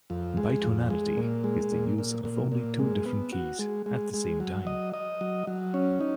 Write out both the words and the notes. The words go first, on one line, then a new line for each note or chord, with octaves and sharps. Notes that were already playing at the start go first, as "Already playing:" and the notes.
Bitonality is the use of only two different keys at the same time.
F2
G#3
F2
G#3
A#2
G#3
A#2
A#2
A#2
A#2
G#3
B3
F#4
G#3
G#3
G#3
F#3
D#5
D#5
F#3
F#3
C#4
D#4